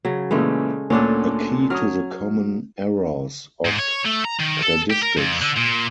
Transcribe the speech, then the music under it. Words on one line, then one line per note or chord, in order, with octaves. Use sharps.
"A key to the common errors of cladistics".
C#3 F#3
A#2 C#3 E3 G#3 A3 C#4
D2 A#2 D3 C#4 D4 A4
F#3 C#5 D#6 F6
G#2
C#5
A3
A#5
D#3
A4
G4
A#4
F2
D3
A#2